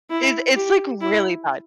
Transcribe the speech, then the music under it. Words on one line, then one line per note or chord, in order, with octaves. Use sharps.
It it's, like, really bad.
E4
G4
E4